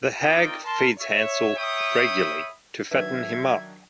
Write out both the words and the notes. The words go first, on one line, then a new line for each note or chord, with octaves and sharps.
The hag feeds Hansel regularly to fatten him up.
C4 D#4 F4 A#4 D5 G5
A#4 A5 C6
C#5 E5
C#5 E5 G5 B5 D#6
D#3 F#3 D4 B4 E5 G#6